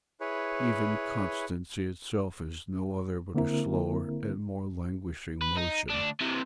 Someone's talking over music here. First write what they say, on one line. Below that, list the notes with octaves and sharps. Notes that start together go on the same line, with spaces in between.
Even constancy itself is no other but a slower and more languishing motion.
E4 G#4 B4 C#5
D3 A#3 C4 E4 A#4
B4
D#4
D2 D4
C3 E3